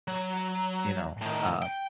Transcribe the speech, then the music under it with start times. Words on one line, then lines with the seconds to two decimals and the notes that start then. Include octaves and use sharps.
you know, uh
0.08 F#3
1.21 A2 D#3
1.62 G5